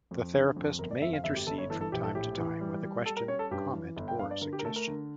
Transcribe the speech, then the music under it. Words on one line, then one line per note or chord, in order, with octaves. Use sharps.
The therapist may intercede from time to time with a question, comment, or suggestion.
F2
D3
F2
G1 A#4
D5
F2 E5
F5
G1 E5
G4
G1 A4
C#5
E3 A4
A4
A#1 G4
A4
A2 G4
E3
G3
G3
G3 A4
A#4
C#4 C#5
A4
G2 G4
E3
G1
G5
G2 F5
D5
D3 A#4
G4
A#4
A3 A4
A#4
D3